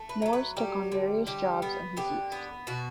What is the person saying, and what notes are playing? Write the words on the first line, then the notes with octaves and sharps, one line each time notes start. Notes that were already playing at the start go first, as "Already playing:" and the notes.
Mores took on various jobs in his youth.
Already playing: A3
B4
F#3 A4
B4
G3 G4
D3
G3 G4
B3
D3 G4
B3
B2 F#4